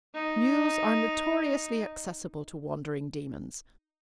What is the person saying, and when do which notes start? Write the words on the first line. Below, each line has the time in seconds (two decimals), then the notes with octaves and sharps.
Mules are notoriously accessible to wandering demons.
0.14 D#4